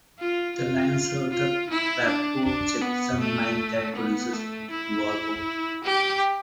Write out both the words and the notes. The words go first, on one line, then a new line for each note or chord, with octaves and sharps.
The line serves the Pabco Gypsum Mine that produces wallboard.
F4
F4
F4
E4
D4
D4
B3
A3
B3
A3
E4
G4